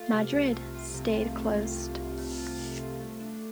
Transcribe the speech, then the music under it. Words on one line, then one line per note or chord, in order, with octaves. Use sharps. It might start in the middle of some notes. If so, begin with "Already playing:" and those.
"Madrid" stayed closed.
Already playing: A3 F4
C3
C2
A3
F4
C3
C2
A3
F4
C3
C2
A3
F4
C3
C2
A3
D4